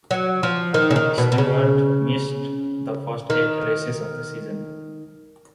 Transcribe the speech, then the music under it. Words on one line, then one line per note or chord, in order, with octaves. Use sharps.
Stewart missed the first eight races of the season.
F#3
F3
D#3
C#3
D#3
B2
B2
C#3
D#3